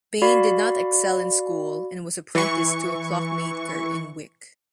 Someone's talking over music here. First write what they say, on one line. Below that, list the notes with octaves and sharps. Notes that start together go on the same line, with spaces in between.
Bain did not excel in school and was apprenticed to a clockmaker in Wick.
F#4 D5 F5 B5
E3 C#6